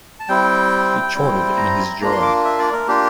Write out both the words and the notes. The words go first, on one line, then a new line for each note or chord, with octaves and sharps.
He chortled in his joy.
A5
G3 C4 E4 G5
G3 C4 E4
A#5
A#3 D4 F4 A#5
C6
D6
E5
D5
A#4
A#3 D4 F4 G4